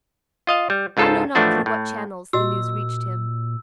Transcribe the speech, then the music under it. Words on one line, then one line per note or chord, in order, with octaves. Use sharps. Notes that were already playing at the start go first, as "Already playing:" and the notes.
I know not through what channels the news reached him.
F4 D#5 F5
G3
C#2 G#2 F4 A4 C5
A2 E3 F3 A3 D4 F#4
A2
A#2 F#4 D#5 E6